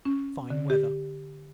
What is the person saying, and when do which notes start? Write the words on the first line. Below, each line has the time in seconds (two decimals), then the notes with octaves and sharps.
Fine weather.
0.05 C#4
0.50 D3
0.70 G4